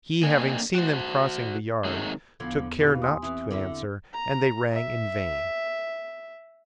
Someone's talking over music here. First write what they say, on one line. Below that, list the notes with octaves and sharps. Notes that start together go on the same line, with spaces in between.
He, having seen them crossing the yard, took care not to answer, and they rang in vain.
D3 A#3 C4 D#5 G#5
F#4 C5
C3 D#3 F#3 G#3
E2 D3 F3 B3 G#6
D#2 A#2 E3 G4
G#5 C6 D#6
E3 C4 E4 D#6
D3 E4 E5
A#5
E5